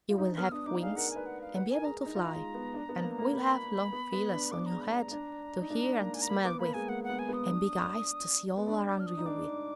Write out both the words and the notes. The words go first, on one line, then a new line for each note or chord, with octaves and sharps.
You will have wings, and be able to fly; and will have long feelers on your head to hear and to smell with, and big eyes to see all around you with.
F4
D#4
D4
B3 F6
D4 D#6
D#4 D6
G#4 F5
A#4 F#5
G#5
B4
F#5
F5
B4 F#5
A#4 G#5
G#4 A#5
A#5
D#4
F4
G#3
B3
D4
B3
A#3
A#3
B5
B3
B3
D4
B3 D6
A#5
G#3
B5
A#5
D4
D#4
D4
A#3
G#5
A#5
A#3 B5
B3 D6
A#3 B5
G#3 G#5
A#3 F#5
F#5
B3
G#5
B3
D#6
D4
B3
D4 B5
D6
F6
D#6
D#4
D4 D6
D#4